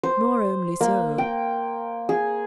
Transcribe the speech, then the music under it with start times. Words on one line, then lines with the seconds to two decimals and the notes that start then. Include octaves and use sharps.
Nor only so.
0.03 C5
0.81 A#3
1.18 G5
2.09 G#4